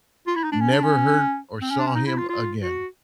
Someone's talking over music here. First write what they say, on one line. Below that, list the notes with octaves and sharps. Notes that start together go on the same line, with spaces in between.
never heard or saw him again.
F4
E4
D#4
D4
C#4
D4
C#4
C4
C#4
D4
C#4
D#4
E4
F4
F4
F#4